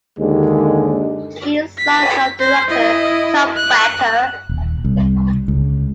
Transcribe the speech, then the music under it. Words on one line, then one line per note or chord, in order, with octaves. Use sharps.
He is son of the director Jacques Becker.
D#2 D3 G#3
B6
C5
E4 D#5
F#6
D#1
C2
C#2